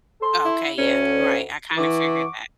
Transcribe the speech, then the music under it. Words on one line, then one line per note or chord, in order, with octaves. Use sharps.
Okay, yeah, right, I kinda figured that.
A4 C6
E4
D2 C#4
E3 F#5 C#6 D6